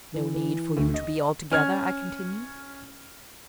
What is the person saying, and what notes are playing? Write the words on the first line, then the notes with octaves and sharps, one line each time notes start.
"No need for you to be, altogether!" I continued.
E3
E3
D2
D#5
C#4 F6 G#6